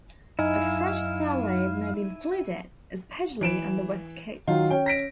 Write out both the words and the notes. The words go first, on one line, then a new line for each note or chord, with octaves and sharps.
A fresh salad may be included, especially on the West Coast.
F#2 D#4 E4 F5 G#5
E3 D7 E7
D#3 F#3 F4
C#4 C#5 G5
A#6 B6 D7